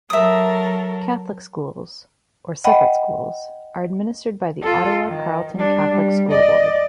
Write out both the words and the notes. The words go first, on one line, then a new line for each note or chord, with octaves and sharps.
Catholic schools, or "separate schools", are administered by the Ottawa-Carleton Catholic School Board.
F#3 A4 A#4 E5 D#6
D#5 F#5 G5 B5
F4 A4
D#3
G3 D4
G3
D5 D#5